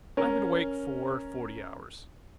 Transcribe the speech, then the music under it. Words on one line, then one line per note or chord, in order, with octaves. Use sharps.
"I have been awake for forty hours."
C#4 A#4